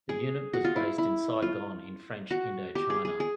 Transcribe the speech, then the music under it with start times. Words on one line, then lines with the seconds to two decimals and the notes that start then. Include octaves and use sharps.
The unit was based in Saigon in French Indochina.
0.09 G#4
0.53 F#4
0.65 F4
0.76 E4
0.98 E4
1.42 F4
2.31 F#4
2.75 G4
2.90 G#4
3.05 G#4
3.20 G#4